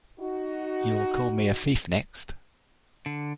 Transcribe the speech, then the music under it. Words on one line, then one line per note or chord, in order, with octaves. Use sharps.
You'll call me a thief next!
D#4 F#4
D3